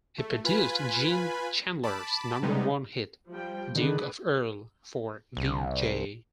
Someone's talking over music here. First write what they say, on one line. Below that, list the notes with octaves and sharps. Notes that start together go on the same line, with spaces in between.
He produced Gene Chandler's number One hit, "Duke Of Earl" for Vee-Jay.
A3
F4 B4 G#5 B5
A5 B5 D6
C3 G3 G#3 B3 D#4
F3 G3 G5
D3 D#3 D4 G#4 B4
C2